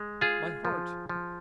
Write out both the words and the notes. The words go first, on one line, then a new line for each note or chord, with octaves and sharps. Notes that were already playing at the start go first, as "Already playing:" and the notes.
My heart!
Already playing: G#3
F4 G#4
F3
F3